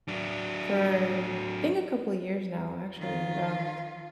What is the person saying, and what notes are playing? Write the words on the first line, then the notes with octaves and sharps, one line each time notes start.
for, I think, a couple years now, actually, and, um
F#3 D4
D#3 F4